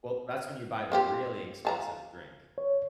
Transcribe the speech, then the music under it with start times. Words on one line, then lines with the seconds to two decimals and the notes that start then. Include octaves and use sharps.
Well, that's when you buy the really expensive drink,
0.92 A#3 C4 G4
1.65 F3 A5 A#5
2.58 C#5